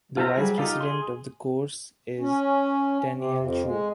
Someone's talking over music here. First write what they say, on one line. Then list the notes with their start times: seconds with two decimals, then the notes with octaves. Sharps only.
The vice president of the course is Tenniel Chu.
0.17 F4 A4 C5 E5 A#5
0.36 F#3 G3 G#4
0.58 D#4 F4 G4 A4 F5
0.81 G#4 C6
2.20 C#4
3.16 C3
3.39 F2
3.65 G#3